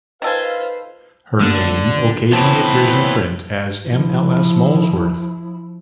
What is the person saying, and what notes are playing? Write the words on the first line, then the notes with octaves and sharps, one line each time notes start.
Her name occasionally appears in print as M. L. S. Molesworth.
D#3 F4 A4 B4 C5 F5 G#5
D3 G3 A3 A#3
E3 B3 C4 C#5 A5
F3 E4